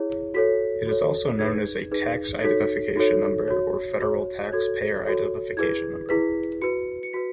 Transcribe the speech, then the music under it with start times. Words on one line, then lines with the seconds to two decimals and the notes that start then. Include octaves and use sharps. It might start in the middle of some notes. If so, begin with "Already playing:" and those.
It is also known as a Tax Identification Number or Federal Taxpayer Identification Number.
Already playing: E4 G#4 C#5
0.34 F#4 A4 C#5 B6
0.87 F#4 A4 C#5
1.39 D#4 G#4 B4 G#6
1.92 D#4 G#4 B4
2.44 D#4 F#4 A4 C#5 B6
2.96 D#4 F#4 A4 C#5
3.48 F#4 C#5
4.00 F#4 C#5
4.52 F#4 A4 C#5 G#6
5.05 F#4 A4 C#5
5.57 E4 G#4 B4 G#6
6.09 E4 G#4 B4 B6
6.62 F#4 B4 C#7
7.03 C#7
7.13 F#4 B4 B6